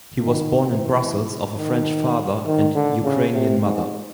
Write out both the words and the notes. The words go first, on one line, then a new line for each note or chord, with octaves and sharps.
He was born in Brussels of a French father and Ukrainian mother.
D#3
E3
D#3
D#3
D3
C#3
C3
G#2